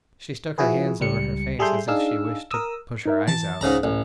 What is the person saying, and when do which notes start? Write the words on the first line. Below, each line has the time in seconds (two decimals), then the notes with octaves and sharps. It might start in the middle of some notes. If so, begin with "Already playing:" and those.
She stuck her hands over her face as if she wished to push her eyes out.
0.58 F3 E4 F#4 G#4 B4
1.00 C#2 G3 C#7
1.59 G3 G#4 A4 E5 C6 G6
1.88 D4 D#4 G#4 F5 E6
2.51 A#4 D#6 E6
3.06 D#4 A#4 E5
3.28 E3 A5
3.61 C#2 G#2 C#3 A#5
3.83 A1